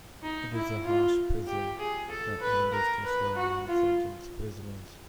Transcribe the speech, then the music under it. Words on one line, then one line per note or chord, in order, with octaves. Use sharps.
It is a harsh prison that handles death row and long-sentence prisoners.
D#4
E4
F4
G4
G#4
A4
B4
A#4
B4
F#4
F4